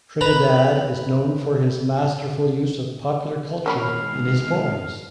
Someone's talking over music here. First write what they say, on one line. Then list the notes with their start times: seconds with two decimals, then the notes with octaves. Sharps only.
Trinidad is known for his masterful use of popular culture in his poems.
0.21 B4 A#5 B5
3.66 B2 D#3 G#3 A#3 C#4 F5 B5